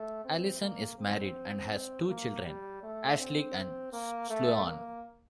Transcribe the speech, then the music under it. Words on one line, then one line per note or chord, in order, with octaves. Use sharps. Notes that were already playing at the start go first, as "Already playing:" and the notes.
Allison is married and has two children, Ashleigh and Sloan.
Already playing: A3
C4
A#3
C4
A#3
G3
A3
C4
A#3
A3
A#3